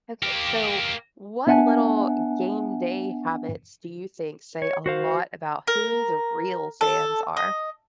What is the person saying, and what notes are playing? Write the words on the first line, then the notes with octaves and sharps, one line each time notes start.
Okay, so, what little game day habits do you think say a lot about who the real fans are?
A#3 G4
B3 D4 E5 F#5 G#5 A5
C#5
F#4 C5 F5
A#4
A4
D#5